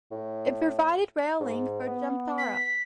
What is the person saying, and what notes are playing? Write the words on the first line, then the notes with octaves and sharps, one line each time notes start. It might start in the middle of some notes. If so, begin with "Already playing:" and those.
It provided rail link for Jamtara.
A2
G#2
B3
B6